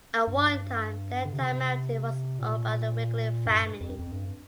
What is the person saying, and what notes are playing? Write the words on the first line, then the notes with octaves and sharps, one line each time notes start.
At one time the entire mountain was owned by the Wigley family.
G2
D3
C3
A#2
G2
F2
F2
G2